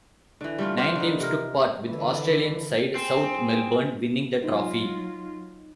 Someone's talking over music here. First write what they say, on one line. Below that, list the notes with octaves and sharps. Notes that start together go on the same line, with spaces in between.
Nine teams took part, with Australian side South Melbourne winning the trophy.
D3 E3
G3 A3 F4
F4 C5 D5 F#5
D3 B3 D#4
C3 A#4
D3 E3
C4 G#4
F#3 D#4 F4